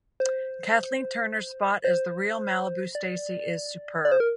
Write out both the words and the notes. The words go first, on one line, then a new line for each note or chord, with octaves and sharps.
Kathleen Turner's spot as the real Malibu Stacy is superb.
C5
C5
D5
D5
C5
A#4